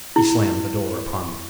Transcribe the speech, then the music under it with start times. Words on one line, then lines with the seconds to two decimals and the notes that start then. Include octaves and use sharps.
He slammed the door upon me.
0.16 E4